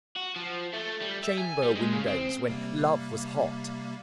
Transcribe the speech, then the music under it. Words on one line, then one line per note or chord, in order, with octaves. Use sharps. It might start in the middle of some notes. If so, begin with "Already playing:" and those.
Chamber-windows when Love was hot?
F#4
F3
A3
G3
E5
G#5
G3
G#3
C#3
C4
C3 G3 A#3